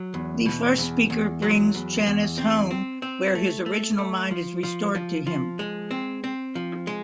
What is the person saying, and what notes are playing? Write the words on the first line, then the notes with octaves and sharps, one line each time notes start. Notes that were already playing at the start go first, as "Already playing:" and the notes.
The First Speaker brings Channis "home", where his "original" mind is restored to him.
Already playing: F#3
E2
B2
E2
E2
F#3
E2
E2
C4
C4
C4
A3
A3
A3
F3
F3
F3
F3
G#3
C4
C4
F3
G#3